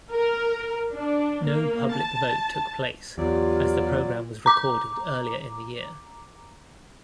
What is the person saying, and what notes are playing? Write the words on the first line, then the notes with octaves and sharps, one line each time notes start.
No public vote took place, as the programme was recorded earlier in the year.
A#4
D4
A#3
A5
E2 F#3 F4 G4 D5
A#5 D6